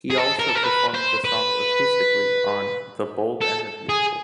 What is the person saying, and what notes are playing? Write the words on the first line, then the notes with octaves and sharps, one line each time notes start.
He also performed the song acoustically on "The Bold and the Beautiful".
G#4
A4
A#4
A4
A#4
B4
C5
B4
A4
G#4